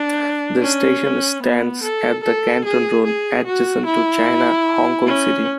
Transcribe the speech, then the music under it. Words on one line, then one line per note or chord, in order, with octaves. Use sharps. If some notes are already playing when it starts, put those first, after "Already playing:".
The station stands at the Canton Road, adjacent to China Hong Kong City.
Already playing: D4
C#4
B3
A4
A4
G#4
G#4
F#4
E4
C#4